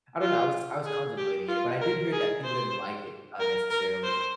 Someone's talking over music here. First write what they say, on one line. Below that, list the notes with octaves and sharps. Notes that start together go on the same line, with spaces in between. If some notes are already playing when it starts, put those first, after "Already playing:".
I don't know. I was I was contemplating it, but I did hear that people didn't like it, uh, necessarily.
F4
G#4
G4
F4
A#4
G#4
C5
A#4
A#4
C5